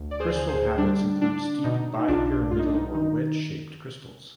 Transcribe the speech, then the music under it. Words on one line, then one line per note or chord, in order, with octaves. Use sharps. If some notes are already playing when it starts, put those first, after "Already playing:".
Crystal habits include steep bipyramidal or wedge-shaped crystals.
Already playing: D2
D5
G#4 C5
D3
G#4 C5
G3 D4
D3 D4
B2 D#4
D#4
B1 D4 F4
G2 F4
D#4
D4
D#4
D#3 D#4